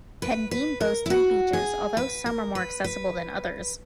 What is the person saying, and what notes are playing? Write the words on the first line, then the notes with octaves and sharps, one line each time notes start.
Pendeen boasts three beaches although some are more accessible than others.
B4
B4
A#4
E4
F#4
G#4
B4
A#4
B4
B4